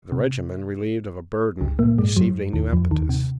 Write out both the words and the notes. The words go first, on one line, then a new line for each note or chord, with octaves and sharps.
The regiment, relieved of a burden, received a new impetus.
C3
C#2 C#3
A#2 A#3
G#2 G#3
F#2 F#3
D#2 D#3
F2 F3
D#2 D#3
C3